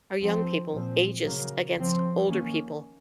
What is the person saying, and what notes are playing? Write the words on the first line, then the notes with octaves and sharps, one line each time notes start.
are young people ageist against older people?
F3 C4
A#2 F3 C4
C#3 F#3 A#3
C#3 F3 C4
D#3 A#3 C#4